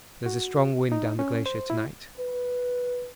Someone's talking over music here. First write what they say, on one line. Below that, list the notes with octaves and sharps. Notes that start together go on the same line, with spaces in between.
There is a strong wind down the glacier to-night.
F#4
D#4
C#4
C5
E4
B4